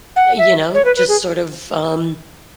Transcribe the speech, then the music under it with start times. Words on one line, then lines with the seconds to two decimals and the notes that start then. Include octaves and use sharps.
Eh, you know, just, sort of, um
0.16 F#5
0.38 E5
0.74 C#5
0.85 B4
0.96 B4
1.08 G#4